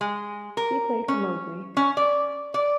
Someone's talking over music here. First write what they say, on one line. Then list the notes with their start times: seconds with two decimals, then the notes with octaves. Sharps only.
He played for Moseley.
0.01 G#3
0.57 A#4
1.08 C#4
1.77 C#4
1.97 D5
2.54 D5